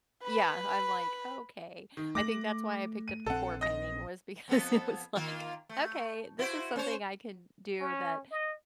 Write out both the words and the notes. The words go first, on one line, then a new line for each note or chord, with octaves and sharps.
Yeah, I'm like, "Okay." I think that's why I picked up the pour painting was because it was like, "Okay, this is something I can do that
B4 B5
D#3
A3 D6 A#6 F#7
D#7
A#1 C4 A4 F#5
D#5 A#6
F2 B3 A4
D#3 A#3 F4
A3
E4 F#4 C5
C#4 C5 C#5
C#4
D#5